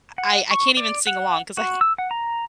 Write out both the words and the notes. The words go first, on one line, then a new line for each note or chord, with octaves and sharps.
I I I can't even sing along 'cause I I
F#5
C#6
D5
F#5
F#4
E6
F#5
A#5